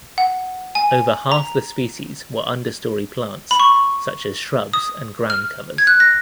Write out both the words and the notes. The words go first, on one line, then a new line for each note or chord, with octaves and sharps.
Over half the species were understory plants such as shrubs and ground covers.
F#5
G#5
A#5
B5
C#6
D#6
F6
G#6
F#6
A#6